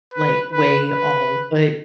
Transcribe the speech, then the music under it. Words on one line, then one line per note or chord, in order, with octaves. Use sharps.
like, way all. But,
B4
B4
B4